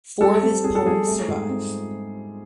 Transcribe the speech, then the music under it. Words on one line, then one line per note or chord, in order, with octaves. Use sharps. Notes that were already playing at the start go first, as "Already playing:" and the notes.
Four of his poems survive.
G3 A4
C4
C4 G#4
A4
G3 G#4
A3
G#2
C4